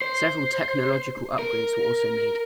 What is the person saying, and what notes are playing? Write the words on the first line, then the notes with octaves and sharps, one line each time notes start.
Several technological upgrades were also made.
C5
A#4